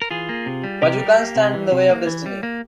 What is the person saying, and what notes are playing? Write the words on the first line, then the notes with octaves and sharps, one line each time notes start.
But you can't stand in the way of destiny.
A#4
E3 F4 G#4
A#3
C3
G3
C3 G4 A#4
G3
A#3
C3
E3
C3
A#3
E3
G3
A#3